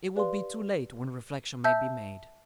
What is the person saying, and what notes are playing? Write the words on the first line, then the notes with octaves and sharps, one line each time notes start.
"It will be too late when reflection may be made."
G4 B4 D5 F5 C6
E5 A5 E6 G6